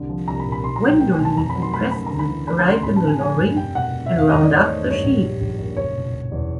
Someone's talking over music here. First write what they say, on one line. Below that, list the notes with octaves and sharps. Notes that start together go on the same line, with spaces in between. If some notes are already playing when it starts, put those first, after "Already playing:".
Wendolene and Preston arrive in the lorry and round up the sheep.
Already playing: C2 D3
F3
C2 A#5
B5
A#2
B5
B1 C6
A#5
F#3
G5
A3 G5
G#5
B2
A5
F2 A#5
B5
F#3
C6
A3 B5
C#3 B5
D2 A#5
B5
E3
A3 B5
A#5
C#3
C6
A1 B5
A5
D3
G#5
F3 G#5
G2
F1 G5
B2 F#5
F1
E5
E2
F5
G#1 D#5
D5
E3 C#5
A3 C5
G2
C#5
A#1
G3
A#1
A#2
F#1 C#5
B2
F#1
E2